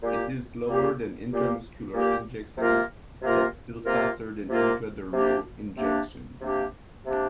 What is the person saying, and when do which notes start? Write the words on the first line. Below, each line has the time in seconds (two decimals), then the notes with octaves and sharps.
It is slower than intramuscular injections but still faster than intradermal injections.
0.02 A#2 A#3 G4
0.67 A#2 A#3 G4
1.29 A#2 A#3 G4
1.94 A#2 A#3 G4
2.58 C3 A#3 F4 A#4
3.22 C3 A#3 F4 A#4
3.85 C3 A#3 F4 A#4
4.50 C3 A#3 F4 A#4
5.13 C3 A#3 D4 G4
5.77 C3 A#3 D4 G4
6.41 C3 A#3 D4 G4
7.05 C3 A#3 D4 G4